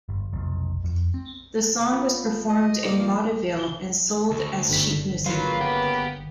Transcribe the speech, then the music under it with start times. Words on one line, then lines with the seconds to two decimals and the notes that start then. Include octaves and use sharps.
The song was performed in vaudeville and sold as sheet music.
0.09 G1
0.32 F1 B1
0.84 F2
1.14 C4
1.92 B3 F4
2.49 D#5
2.84 G2 A#3 D6
3.00 F3
4.31 D2
4.69 G1 D3 B6
5.26 C#3 F#3 A#3 F4 B4
5.61 B3 G4